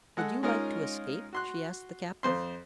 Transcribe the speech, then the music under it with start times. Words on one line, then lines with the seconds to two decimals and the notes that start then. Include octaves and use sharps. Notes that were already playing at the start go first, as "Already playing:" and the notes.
"Would you like to escape?" she asked the captive.
0.17 G#3 A4 F#5
0.43 G#3 C#4 D#4 F4 A#4
1.33 F#4 C6 F#6
2.23 F2 C5 C6